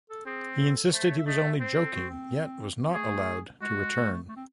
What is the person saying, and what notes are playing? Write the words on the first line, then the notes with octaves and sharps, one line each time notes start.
He insisted he was only joking yet was not allowed to return.
A4
C4 G#4
A4
C#5
A3 C5
C#5
E5
A3 D#5
E5
C4 C5
A4
F#4
C4
C4
A3 G#4
G#3 F#4
A3
G#3
A3
A3
C4